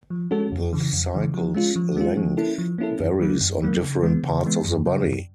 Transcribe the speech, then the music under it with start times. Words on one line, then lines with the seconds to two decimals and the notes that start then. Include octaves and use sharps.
The cycle's length varies on different parts of the body.
0.10 F3
0.31 G#3 C#4 F#4 A4
0.52 F2
0.73 C#3 E3
0.93 F2
1.14 C#3 E3
1.34 F3
1.54 G#3 C#4 F4
1.76 F3
1.96 G#3 C#4 F4
2.17 F3
2.37 A#3 C#4 E4 A4
2.58 F3
2.78 A#3 C#4 E4 A4
3.00 F#2
3.19 D#3 F#3 A#3
3.41 F#2
3.62 D#3 F#3 A#3
3.82 C#3
4.03 E3 G#3 B3
4.23 C#3
4.44 E3 G#3 B3
4.64 F#2
4.86 C#3 F#3
5.06 F#2